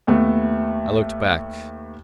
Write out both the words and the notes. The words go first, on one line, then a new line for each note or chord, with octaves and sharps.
I looked back.
D#2 A3 B3